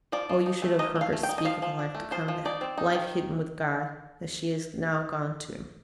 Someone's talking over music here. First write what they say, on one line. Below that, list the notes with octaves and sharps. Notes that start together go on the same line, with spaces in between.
Oh, you should have heard her speak of the life to come--the life hidden with God, that she is now gone to.'
F3 D5
F3
D#4
A3
D#4 D#5
A3
F5
A3
G5
D#4
D#5
F3 F5
F3
D4
A3
F3 C5
F3
D#4 D5
C4
D#4
D#3